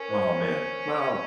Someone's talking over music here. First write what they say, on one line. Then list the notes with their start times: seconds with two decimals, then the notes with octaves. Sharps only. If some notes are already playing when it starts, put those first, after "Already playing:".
Aw, man. No.
Already playing: C#4 A#4
0.10 C5
0.42 A#4